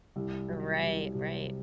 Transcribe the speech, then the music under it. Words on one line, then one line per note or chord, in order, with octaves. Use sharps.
Right, right.
C2
F#3
C2
C3